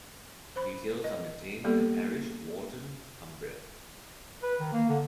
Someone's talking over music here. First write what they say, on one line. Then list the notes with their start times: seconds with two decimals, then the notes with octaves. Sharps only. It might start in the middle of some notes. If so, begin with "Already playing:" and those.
Details are maintained in the parish of Whorlton, Cumbria.
0.56 C5 B5
1.04 D#5
1.64 G3 A#3 B3 G4 A4
4.43 B4
4.60 D#3
4.73 A#3
4.89 D3